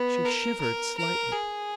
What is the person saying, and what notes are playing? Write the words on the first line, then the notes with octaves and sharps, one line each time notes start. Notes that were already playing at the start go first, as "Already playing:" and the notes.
She shivered slightly.
Already playing: B3
A#4
A#4
A#4
G#4